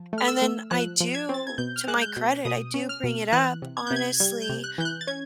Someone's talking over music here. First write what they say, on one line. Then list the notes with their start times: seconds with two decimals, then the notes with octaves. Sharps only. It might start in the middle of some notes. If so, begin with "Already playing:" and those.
and then I do to my credit, I do bring it up honestly,
Already playing: F3
0.13 A3
0.18 F6
0.28 E6
0.42 A3
0.71 F3 F#6
1.01 F3
1.15 G#6
1.29 C4
1.34 A6
1.47 G#6
1.58 B2 G6
1.76 F6
1.88 G#3 F#6
2.02 G6
2.17 B2
2.45 B2 D#6
2.74 C#4
2.89 F6
3.03 B2
3.32 E3 F#6
3.62 C3
3.77 G#6
3.87 C3 G6
3.96 G#6
4.20 G3 G#6
4.42 G6
4.49 C3
4.64 F#6
4.78 E3 G6
4.85 F#6
5.01 A6
5.07 C#4 G#6